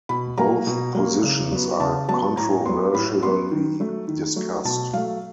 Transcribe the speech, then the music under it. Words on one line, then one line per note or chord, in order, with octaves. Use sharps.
Both positions are controversially discussed.
B2 B5
F#3 A#3 A#5
B2
F#3 A#3
C#3
F#3 B3
C#3 A5
F#3 B3 A5
A2 A#5
F#3 B3 C6
A2 B5
F#3 B3 C6
D#3
F#3 A3
D#3
F#3 A3
B2 A5
F#3 A3 F5